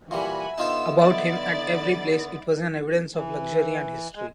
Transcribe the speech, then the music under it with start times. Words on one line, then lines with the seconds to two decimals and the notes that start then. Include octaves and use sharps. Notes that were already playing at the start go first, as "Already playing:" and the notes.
About him, at every place,it was an evidence of luxury and history.
0.11 A#2 E3 G3 F#4 E5 G#5 B5
0.58 D3 B3 D#4 F4 C5 E6
0.98 E4 D5 A6
3.15 E3
4.15 G#3